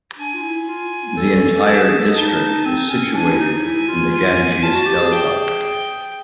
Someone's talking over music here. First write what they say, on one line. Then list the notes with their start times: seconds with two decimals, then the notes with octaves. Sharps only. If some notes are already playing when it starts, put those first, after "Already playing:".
The entire district is situated in the Ganges Delta.
0.17 D4 G#5
0.34 F4
0.42 E4
0.68 F4
1.17 A4
1.66 A4 A5
1.82 G#4
1.99 A4
2.16 D#4 A5
2.64 C4 G#5
2.90 C#4
3.14 D4 G#5
3.31 E4
3.38 D#4
3.52 D#4
3.64 E4
3.88 F4
4.12 G#5
4.62 F4 A5
4.74 F#4
4.86 G4
4.99 G#4
5.12 G5
5.61 G5